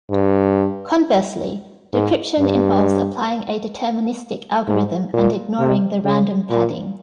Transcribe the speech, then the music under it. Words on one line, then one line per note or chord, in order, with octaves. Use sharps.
Conversely, decryption involves applying a deterministic algorithm and ignoring the random padding.
G2
G#2
G2
G#2
A#2
C3
C#3
A#2